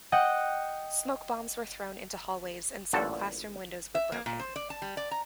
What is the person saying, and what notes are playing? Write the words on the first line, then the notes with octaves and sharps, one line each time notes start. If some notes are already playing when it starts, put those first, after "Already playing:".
Smoke bombs were thrown into hallways and some classroom windows were broken.
D#5 F#5 G5
A1 G2 A#2 D3 F#4 A4
E5
A#3
A#2
C5
D5
A5
G3
D5
A#5